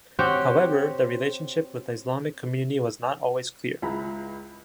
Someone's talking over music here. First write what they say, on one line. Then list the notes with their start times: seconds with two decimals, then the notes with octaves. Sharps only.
However, the relationship with the Islamic community was not always clear.
0.19 C4 F#4 G4 C5 C#5 G5
3.82 C#2 E4 A#5 B5